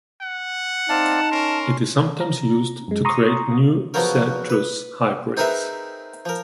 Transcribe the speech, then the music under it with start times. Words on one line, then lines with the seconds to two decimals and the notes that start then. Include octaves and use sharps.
It is sometimes used to create new citrus hybrids.
0.21 F#5
0.89 C4 D#4 D5 F5 A5
1.31 C#4 A#4 C6
2.20 A#5
2.88 F#2 G#3
3.05 A#5 C6 C#6 D#6
3.94 C#3 F3 F#3 B3 F#4 A#4
4.50 B4
5.37 C4 D#4 G#4 A#4 B4 E5
6.25 F3 A#4